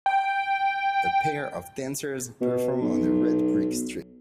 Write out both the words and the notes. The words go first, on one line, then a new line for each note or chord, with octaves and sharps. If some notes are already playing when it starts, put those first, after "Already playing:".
A pair of dancers perform on a red brick street.
G5
B2
B1